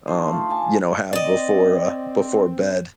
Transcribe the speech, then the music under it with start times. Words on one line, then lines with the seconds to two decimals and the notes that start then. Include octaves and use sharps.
um, you know, have before, uh before bed.
0.07 D4 D#4 C5
0.28 A3 F4
0.49 D5 G#5 A5
1.13 C4 D5 D#5